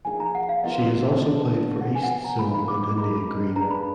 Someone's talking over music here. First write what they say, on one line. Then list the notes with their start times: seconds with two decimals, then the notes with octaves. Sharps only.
She has also played for East Zone and India Green.
0.05 F3 A#3 D#4 G#4 G#5
0.20 A#5
0.35 F#5
0.49 F5
0.64 F3 B3 F4 A#4 D#5
1.22 D3 F3 B3 D4 D#5
1.81 F#3 B3 F4 F#5
1.95 G#5
2.03 F#5
2.10 G#5
2.24 A#5
2.39 F3 A#3 D#4 B5
2.54 B5
2.68 D6
2.83 D6
2.98 G#3 D#4 A#4 B5
3.55 A#3 D4 G#4 B4 A#5
3.71 B5